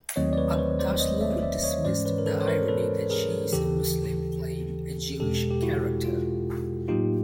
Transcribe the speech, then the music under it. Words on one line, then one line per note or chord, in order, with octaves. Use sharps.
Aghdashloo dismissed the irony that she is a Muslim playing a Jewish character.
D#2 D#3 F#3 A3 C4 C#5 D#5
D5
B4 C#5
C5
B4 C#5
C5 D5
C#5 D#5
D5 E5
D5 E5
C#5 D#5
G#2 E3 G#3 C#4 C5 D5
B4 C#5
A#4
A4 B4
C#5
A#4 C5
A4 B4
G#4 A#4
D#2 C#3 E3 G4 A4
E2 B2 G#3 G4 A4
G4
E4 F#4
F4
A2 F#3 A#3 D#4 F4 G4